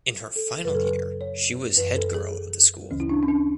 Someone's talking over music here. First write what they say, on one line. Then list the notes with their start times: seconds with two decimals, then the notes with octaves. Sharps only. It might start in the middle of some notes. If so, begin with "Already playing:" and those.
In her final year she was head girl of the school.
0.36 A4
0.64 F#2 C#3 F#3 B4
0.75 A4
0.84 B4
1.21 C#5
1.77 F#2 E3 B4
1.97 A4
2.14 G#4
2.90 D2 C#3 E3 C#4
3.00 E4
3.09 D4
3.23 C#4
3.28 D4